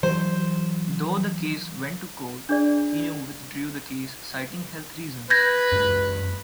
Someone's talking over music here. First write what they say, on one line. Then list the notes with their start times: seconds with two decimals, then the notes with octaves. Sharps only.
Though the case went to court, Kenu withdrew the case citing health reasons.
0.03 E3 F#3 C5
2.49 D4 G#4 D5
5.30 B4 G6 G#6 A#6
5.72 F#2 G#3